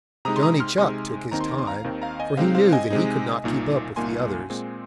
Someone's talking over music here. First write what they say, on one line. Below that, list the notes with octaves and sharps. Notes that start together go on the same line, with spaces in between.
Johnny Chuck took his time, for he knew that he could not keep up with the others.
C3 G#3 D#4 A#5 D#6
C6
A#5 D#6
C6 F6
C3 G#3 D#4 G#5 C6
D#2 D#3 C4 D#4 A#5
C6
A#5
C6
F5 A#5
D#2 D#3 C4 D#4
F5 A#5
D#5 G#5
C3 G#3 C4 D#4 C5 F5
C5 F5
D#5 G#5
C3 G#3 C4 D#4
C2 A#2 A#3 D#4
C2 A#2 A#3 D#4 G#5 C6
A#2 G#3 C4